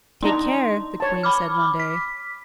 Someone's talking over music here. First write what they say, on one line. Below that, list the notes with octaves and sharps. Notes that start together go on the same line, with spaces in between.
"Take care," the Queen said one day.
D4 D#4 A#5 C6
C#5 A5
B5 D6 F6
B6